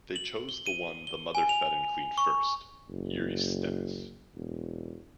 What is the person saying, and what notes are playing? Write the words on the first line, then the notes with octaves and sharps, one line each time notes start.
They chose the one the mother fed and cleaned first, Eurysthenes.
F#7
G7
D#7
G7
G#5
F7
C#6
F#1
E1